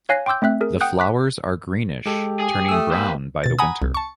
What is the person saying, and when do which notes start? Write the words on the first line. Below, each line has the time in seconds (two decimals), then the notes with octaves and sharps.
The flowers are greenish, turning brown by the winter.
0.09 C#5 F5 G#5 F#6 A#6 C7
0.26 G5 C6 D6 E6 G6
0.42 A3 C4 E5 F#6
0.61 G#4 A#4
0.81 F#5 G5 D#6 F#6 G6
0.99 D6 F#6 B6
2.06 G#3 G4 A4
2.40 G#4
2.69 A3 D#6 E6
2.92 A#3 B4 C5
3.44 B2 A6
3.59 F#5 G#5 A#5 B5 D#6
3.82 C2
3.94 A5 C#6